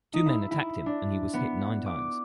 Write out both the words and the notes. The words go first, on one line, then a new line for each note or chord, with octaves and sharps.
Two men attacked him and he was hit nine times.
D#4
E4
E4
D4
B3
D6